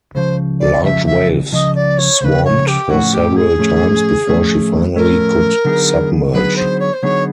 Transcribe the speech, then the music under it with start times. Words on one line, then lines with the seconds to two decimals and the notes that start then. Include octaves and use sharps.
Large waves swamped her several times before she finally could submerge.
0.15 C#2 C#3 F3 C5
0.60 D5
0.83 C#2 C#3 F3 E5
1.06 E5
1.52 C#2 C#3 F3 D#5
1.75 D5
1.98 C#5
2.21 C#2 C5
2.23 C#3 F3 B4
2.45 C#5
2.67 G4
2.90 A2 F3 A3 C#4 F#4
3.13 G4
3.36 G#4
3.59 A2 F3 A3 C#4
4.27 A2 F3 A3 C#4
4.96 A2 F3 A3 C#4 A#4
5.65 D3 F#3 B3 D#4 G#4
6.33 D3 F#3 B3 D#4 G#4 B4
6.56 C5
6.79 C#5
6.93 C5
7.03 D3 F#3 B3 D#4 G#4 C#5